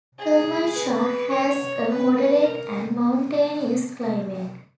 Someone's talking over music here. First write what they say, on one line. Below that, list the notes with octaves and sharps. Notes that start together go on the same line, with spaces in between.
Kermanshah has a moderate and mountainous climate.
G#4
B4
C#5
B4
B4
A#4